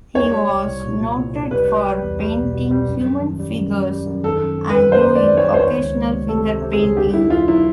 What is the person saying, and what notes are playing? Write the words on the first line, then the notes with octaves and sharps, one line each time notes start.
He was noted for painting human figures and doing occasional finger painting.
G3 C#5
G3
C2
C2
A#2
A#2
C2
C2
G3 B4
G3
G3
E2
G3
B2
B2
G3
F#2
F#2
D#3
G3
F#2
F#2
G3
F#2
D#3 A4
F#2
C4
B4
C4
F#2 C5
D#3
D5
G3
C#5
C4
C5
D#3 C#5
C#2
G#3
C3
C3 A4
C3
C3
G#4
C#2
D3 G4
D3 E4
F#3 F4
F#3 E4